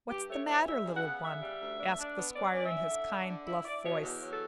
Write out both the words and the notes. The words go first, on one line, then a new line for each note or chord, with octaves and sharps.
"What 's the matter, little one?" asked the Squire in his kind, bluff voice.
G2 G4
A3 C#5
E3 C#5
G3 E5
C#3
F#5
B3
C#3 E5
G3
D2
D4
D4
B3
C#4 D5
C#4 D5
E5
E4
D3
D4
D3
E4
E4 D5
B2 C#5
E2
F#3
A4